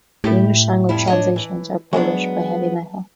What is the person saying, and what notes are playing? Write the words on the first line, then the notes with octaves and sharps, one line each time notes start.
The English language translations are published by "Heavy Metal".
A2 E4 G4
F2 G3 E4
D4 C#5 D#5
E3
F#3 G#3 B3 D4